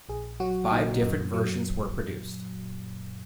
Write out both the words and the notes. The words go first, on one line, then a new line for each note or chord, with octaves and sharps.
Five different versions were produced.
A#1 G#4
F#3 F#4
A#2 D#4
F#2
F#3